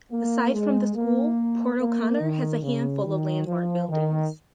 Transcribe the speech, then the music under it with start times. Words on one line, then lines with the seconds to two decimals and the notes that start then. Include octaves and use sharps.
Aside from the school, Port O'Connor has a handful of landmark buildings.
0.12 A#3
0.54 G#3
0.96 A#3
1.80 A#3
2.21 D#3
2.63 C#3
3.05 D#3
3.47 F3
3.89 D#3